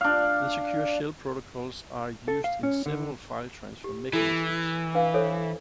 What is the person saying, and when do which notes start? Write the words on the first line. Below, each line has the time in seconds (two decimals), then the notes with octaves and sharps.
The Secure Shell protocols are used in several file transfer mechanisms.
0.01 D4 F5
2.28 A4
2.44 F5
2.63 C#4
2.86 D3
3.84 G4
4.13 E3 E4 A4
4.95 D4 B4 F5
5.14 A4 C5 C#5